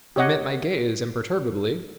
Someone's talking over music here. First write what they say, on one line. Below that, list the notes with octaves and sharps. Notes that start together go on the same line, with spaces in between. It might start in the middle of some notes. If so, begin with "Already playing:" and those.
He met my gaze imperturbably.
G4 C#5 D#5 F#5